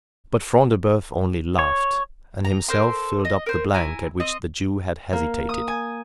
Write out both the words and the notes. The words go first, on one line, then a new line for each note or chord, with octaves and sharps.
But Front-de-Boeuf only laughed, and himself filled up the blank at which the Jew had hesitated.
C#5
A#5
A4 A#4 C5 C6
D#5
A#4 C5
E4 G#5 A#5
C4 D#5
A#3
D#6
G#5